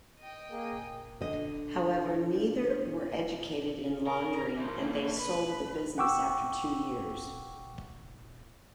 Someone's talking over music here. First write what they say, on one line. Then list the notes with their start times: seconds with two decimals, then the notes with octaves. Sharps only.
However, neither were educated in laundering, and they sold the business after two years.
0.19 D#5 G5
0.51 A#3 G#4
1.21 D3 D#5
4.07 A#4
4.57 E3 C5
4.80 E3 A#3
5.18 B4
5.98 F#5 G5 C#6 D6 E6